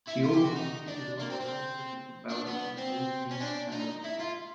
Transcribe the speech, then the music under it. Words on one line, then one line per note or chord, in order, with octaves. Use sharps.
She also competed one of the most difficult balance beam routines ever performed.
E4
F4
G4
F#4
D#4
D4
A#3
C4
C4
D4
B3
C4
C#4
D4
D#4
E4
F4